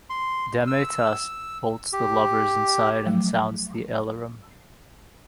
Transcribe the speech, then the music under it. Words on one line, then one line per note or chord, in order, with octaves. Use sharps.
Dametas bolts the lovers inside and sounds the alarum.
C6
E6
G4
F3 F#3 A3